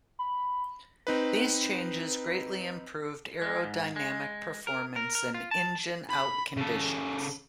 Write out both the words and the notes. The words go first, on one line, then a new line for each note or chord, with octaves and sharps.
These changes greatly improved aerodynamic performance in engine-out conditions.
B5
C4 D#4 B4
G#3
G#2
G#3
A#4
A#4
A#4
F4
A5
B5
C#3 A4